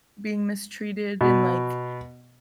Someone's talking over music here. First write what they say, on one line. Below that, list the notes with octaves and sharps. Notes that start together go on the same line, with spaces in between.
being mistreated in, like,
B2